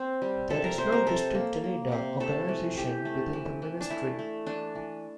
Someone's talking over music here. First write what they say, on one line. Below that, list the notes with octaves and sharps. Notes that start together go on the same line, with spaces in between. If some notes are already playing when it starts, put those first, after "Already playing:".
There is no distinct Danida organisation within the Ministry.
Already playing: C4
G3
C3 A4
A#4
C3 C5
A#4
C3 A4
A#3
A#3
C3
A3 A4
E3
E3 G4
A3
E3
E3
D4
A3 E4
A3
E3 D4
E3